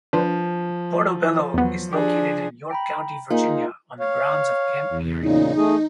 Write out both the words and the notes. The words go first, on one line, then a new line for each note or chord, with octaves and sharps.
Porto Bello is located in York County, Virginia on the grounds of Camp Peary.
F3 D4 B4 C5
E2 F#3 B3
F3 D4 G4 G#4
G5 A#5 B5
A#3 D#4 F4 G#4
C#5 F5
E2
A#2 C#3 D#4
A3 G#4